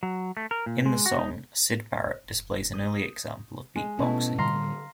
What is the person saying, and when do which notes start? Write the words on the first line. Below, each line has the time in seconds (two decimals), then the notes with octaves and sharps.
In the song, Syd Barrett displays an early example of beatboxing.
0.03 F#3
0.37 A3
0.51 A#4
0.66 A#2
0.86 G#3
1.06 F#4
1.19 D#4
2.73 D#6 G6
3.76 G#3
3.99 B2 A3 B3 C#4 E4
4.38 A2 D3 G3 F5 A#5 C6